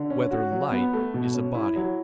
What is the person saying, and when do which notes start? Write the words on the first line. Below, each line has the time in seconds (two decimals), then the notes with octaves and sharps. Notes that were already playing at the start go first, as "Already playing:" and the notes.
Whether Light Is a Body?
Already playing: D3
0.10 C#4
0.31 F#4
0.51 F#3
0.72 B3
0.93 A3
1.14 B2
1.34 C#4
1.55 E4
1.76 F#3